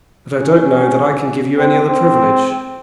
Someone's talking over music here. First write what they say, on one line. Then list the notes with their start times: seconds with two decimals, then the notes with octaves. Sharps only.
"But I don't know that I can give you any other privilege."
0.40 C#4
1.58 C4
1.87 C4